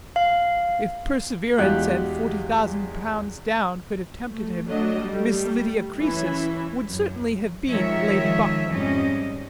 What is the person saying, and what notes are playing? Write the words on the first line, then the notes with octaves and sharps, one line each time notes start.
If perseverance and forty thousand pounds down could have tempted him, Miss Lydia Croesus would certainly have been Lady Buckram.
F5
E2 G#3 F#4 G4 F5 F#6
A3
F#3 A3 D4 D#5
G3 A3
E3 C#4 E4
F#2
D#3 F3 G#3 C#5 E5
F2 G#2 G3 C#4 D#5